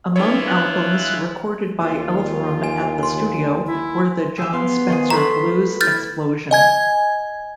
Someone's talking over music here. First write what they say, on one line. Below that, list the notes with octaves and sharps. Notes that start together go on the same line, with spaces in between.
Among albums recorded by Elverum at the studio were the Jon Spencer Blues Explosion.
B3 D4 E4 F4 C#5
F#6
G#3
D#2 F4
G#5
C6
E4
G4 G#4 E6
B3 F5 C6
D#3 F3 G#4
F#3 A3 B3 A#5 B5
E4 F6 G6 A6
D#5 G#5 G#6